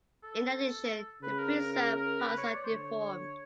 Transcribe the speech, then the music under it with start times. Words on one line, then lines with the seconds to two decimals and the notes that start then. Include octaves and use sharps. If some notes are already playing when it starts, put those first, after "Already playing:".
In addition, the preserved parts are deformed.
0.23 A4
1.22 C#3 B4
1.39 A#4
1.56 A#4
1.72 A#4
1.97 A#4
2.20 B4
2.38 C#5
2.54 D5
2.64 C5
2.70 D3 C#5